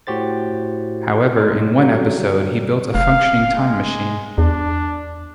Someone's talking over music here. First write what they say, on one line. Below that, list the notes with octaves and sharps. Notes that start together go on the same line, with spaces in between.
However, in one episode, he built a functioning time machine.
A2 F#4 G4 C5 A6
A2 G#3 D#4 A#4 D5
D3 F#3 G3
F1 F5
G#3
E2 D4